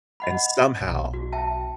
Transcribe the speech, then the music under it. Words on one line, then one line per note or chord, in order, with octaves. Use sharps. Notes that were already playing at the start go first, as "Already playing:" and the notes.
And somehow
D#5 F#5 B5
B1
F#4
E5 G5 A5